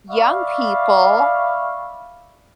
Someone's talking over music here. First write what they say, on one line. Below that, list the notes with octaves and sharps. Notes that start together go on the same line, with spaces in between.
young people
D5 E5 F5 B5 C#6